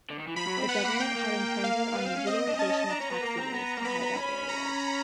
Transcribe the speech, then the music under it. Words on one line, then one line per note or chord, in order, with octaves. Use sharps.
The government had intended on the utilisation of taxiways to hideout areas.
D3
D#3
E3
F3 B5
F#3
C4
B3 F#5
A#3
A#3 G5
A#3
F5
B3
C4
C#4
C4 D#5
D4
C4
C#4 A5
C#4
D4 A#5
C#4
B3
A#3
C4
B3
A#3
B3 B5
B3
C#4
A#5